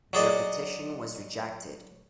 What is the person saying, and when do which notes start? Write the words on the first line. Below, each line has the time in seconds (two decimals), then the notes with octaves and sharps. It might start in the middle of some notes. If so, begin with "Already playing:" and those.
Their petition was rejected.
0.13 F#3 G#4 D5 D#5